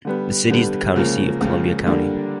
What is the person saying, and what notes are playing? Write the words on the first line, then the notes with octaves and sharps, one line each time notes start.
The city is the county seat of Columbia County.
D3 G3 B3
D3 G3 B3
C#2 C#3 F3 A#3
C#2 C#3 F3 A#3
D3 G3 A#3 D4